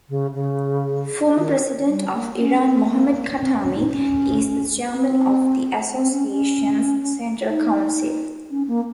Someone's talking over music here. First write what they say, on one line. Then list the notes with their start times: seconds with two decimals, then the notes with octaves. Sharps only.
Former President of Iran Mohammad Khatami is the Chairman of the association's Central Council.
0.09 C#3
0.34 C#3
1.36 D#3
1.87 G3
2.13 A#3
2.39 C#4
2.64 C4
2.90 A#3
3.41 C4
3.58 C#4
3.75 D#4
3.92 C#4
4.93 C4
5.96 C4
6.12 C#4
6.30 C#4
7.49 D#4
8.51 C#4
8.68 A#3